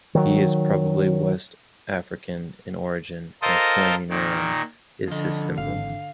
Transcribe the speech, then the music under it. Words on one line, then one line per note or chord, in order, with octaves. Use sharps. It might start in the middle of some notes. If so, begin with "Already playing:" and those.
He is probably West African in origin and a flaming ram is his symbol.
D#3 F#3
F4 A4 A#4 C5 D#5
A#2 D#3
D3 F3 D#5
G#1 E3 F5